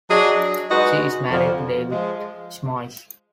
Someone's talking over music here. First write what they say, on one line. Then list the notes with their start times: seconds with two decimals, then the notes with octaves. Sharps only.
She is married to David Shmoys.
0.10 F#3 D4 G#4 D#5
0.70 G#3 D#4 F#4 B4 D#5
1.29 F2 D3 F3
1.91 F3 G#3